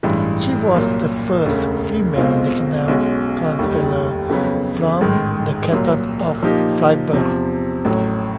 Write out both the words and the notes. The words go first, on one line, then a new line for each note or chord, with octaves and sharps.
She was the first female National Councillor from the canton of Fribourg.
A1 G2 E3 G#3
C2 A#2 F#3
E1 D2 C#3
B1 B2 G#3 C4 F4
B1 B2 G#3 C#4 F#4
F1 D#2 D#3 G3
F2 C#3 F#3 B3
A1 G#2 D#3 G#3
C2 A#2 F#3
A#2 F3 A#3 D#4 G4
E2 C3 F3
A1 A2 F#3